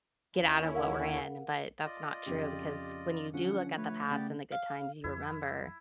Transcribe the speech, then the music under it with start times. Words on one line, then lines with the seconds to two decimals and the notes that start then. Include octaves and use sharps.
get out of what we're in, but that's not true, because when you do look at the past and the good times, you remember,
0.35 D#2 C#4 E4
0.74 A#4 F5 F#5
1.85 F4 D5 D#5
2.26 F2 C#3 G4
3.33 D3 F3 C#4 F#5
3.77 A3 B4 C#5
4.11 C#3 B3 G4 D5
4.52 F5
5.04 F2 E4